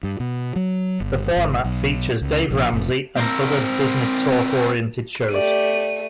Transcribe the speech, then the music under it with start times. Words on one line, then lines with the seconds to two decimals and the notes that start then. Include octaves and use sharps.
The format features Dave Ramsey and other business-talk oriented shows.
0.03 G2
0.20 B2
0.56 F#3
1.00 G1
1.37 G#1
1.64 B1
2.21 C#2
2.51 A#1
2.73 F1
3.17 C4 A#4
5.31 A3 G4 D5 D#7